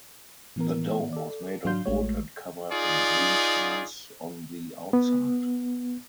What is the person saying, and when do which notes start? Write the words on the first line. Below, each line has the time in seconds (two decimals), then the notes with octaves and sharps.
The dome was made of wood and covered in green tiles on the outside.
0.56 A2 E3 B3 A#4
1.13 A4 D5
1.65 G#2 F#3 D4 F5 C6 G6
1.86 A1 G#3 A3 F#4 C#5
2.72 D#4 F4 G#4 D5
4.93 B3